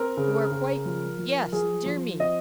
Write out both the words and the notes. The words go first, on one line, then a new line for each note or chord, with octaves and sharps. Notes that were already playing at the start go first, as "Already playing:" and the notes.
You are quite--yes--dear me!'
Already playing: C4 A#4
C#3
C#3
F3
F3
F3 G#4
F3
C4 D#5